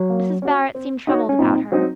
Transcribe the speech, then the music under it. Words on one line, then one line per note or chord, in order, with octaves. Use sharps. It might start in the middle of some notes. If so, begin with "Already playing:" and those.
Mrs. Barrett seemed troubled about her.
Already playing: F#3
A#3
C#4 F#4
C4
D#4 F#4 C#5
C#4
A#2 C4 D#4
F#3 C4 D#4